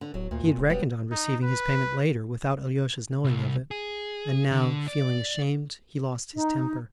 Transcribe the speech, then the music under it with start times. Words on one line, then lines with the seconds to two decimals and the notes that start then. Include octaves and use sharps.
He had reckoned on receiving his payment later, without Alyosha's knowing of it, and now, feeling ashamed, he lost his temper.
0.01 D3
0.14 D1 F#3
0.31 D2 A#2
0.44 G2
0.57 E1
0.70 F#3 G3 B3
1.11 D#4
1.44 B4
3.24 C2
3.71 G#4
4.51 D3
4.88 D5
6.34 D#4